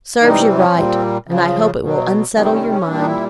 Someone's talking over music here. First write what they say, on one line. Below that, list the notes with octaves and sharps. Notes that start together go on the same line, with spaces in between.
Serves you right; and I hope it will unsettle your mind.'
C3 E3 G3 D#4
C4
C#4
A#2 G3 C4
C#3 F3
B2 F#3
C3 D#3 G3
C4
C#4
C#4
A#2 G3 D4
D#4
E4